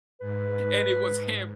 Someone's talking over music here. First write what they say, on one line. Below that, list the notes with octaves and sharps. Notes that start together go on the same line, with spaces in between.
And it was him.
G#2 B4